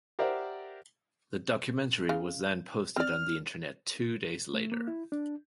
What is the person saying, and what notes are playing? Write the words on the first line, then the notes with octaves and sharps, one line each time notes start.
The documentary was then posted on the internet two days later.
G4 A#4 C5 D5 E5 F#5
C#3 F5
C4 D5 F6
A3
A#3
E4
D4